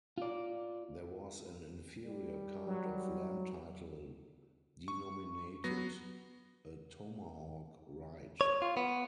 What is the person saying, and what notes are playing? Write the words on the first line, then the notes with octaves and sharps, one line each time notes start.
There was an inferior kind of land title denominated a tomahawk right.
F4 D5
G3
F#3
C#6
F#3 B3 A#6
C#5
F4
B3